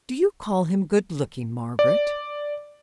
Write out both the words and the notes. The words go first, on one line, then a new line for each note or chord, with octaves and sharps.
Do you call him good looking, Margaret?'
D5